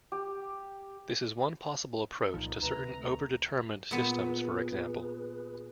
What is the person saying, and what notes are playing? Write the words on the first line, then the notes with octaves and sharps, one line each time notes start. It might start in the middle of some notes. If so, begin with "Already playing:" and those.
This is one possible approach to certain over-determined systems, for example.
G4
C2 A#2 F3 D#4
D2 C3 B4 A#5
A3
A#2 B3 G#4 B4